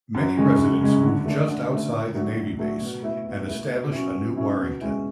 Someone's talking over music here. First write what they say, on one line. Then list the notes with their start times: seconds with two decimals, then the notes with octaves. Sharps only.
Many residents moved just outside the navy base, and established a New Warrington.
0.15 F#2
0.37 C#3 G#3 C#4
0.59 F#2
0.81 C#3 G#3 C#4
1.03 D3
1.26 A3 D4
1.48 D3
1.70 A3 D4
1.92 A2
2.14 F#3 A3 D4
2.37 A2
2.59 F#3 A3 D4
2.81 B2
3.03 A3 E4
3.25 B2
3.47 A3 E4
3.70 B2
3.91 F#3 C#4 E4
4.14 B2
4.36 F#3 C#4 E4
4.58 B2
4.80 G#3 C#4 E4